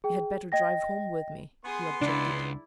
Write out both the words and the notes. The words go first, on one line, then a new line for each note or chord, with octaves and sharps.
"You had better drive home with me," he objected.
G#4 G5
D#5 G5 A#6
B3 G#4 C6 D#6
C#2 D4 E4 D5